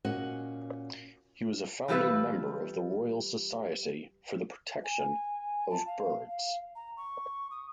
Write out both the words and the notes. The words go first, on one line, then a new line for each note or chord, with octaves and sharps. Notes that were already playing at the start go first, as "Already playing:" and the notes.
He was a founding member of the Royal Society for the Protection of Birds.
A#2 C#4 F#4 D#5 F#5
E3 G3 F4 A4 B4
G#5
A5
F5
F5
A#5
C#6
D#6